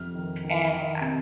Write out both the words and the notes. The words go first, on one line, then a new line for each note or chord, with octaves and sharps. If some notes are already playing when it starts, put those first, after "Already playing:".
and, uh
Already playing: F2 C3 F6
D#3
D#3
D#3
C3